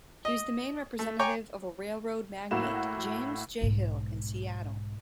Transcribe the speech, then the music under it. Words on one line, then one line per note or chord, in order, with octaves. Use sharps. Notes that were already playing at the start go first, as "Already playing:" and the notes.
He was the main representative of railroad magnate James J. Hill in Seattle.
D#5
A3
C#5 G5 G#5 A#5 C#6 D6
A2 A#3 F#4 E7
B1 G#2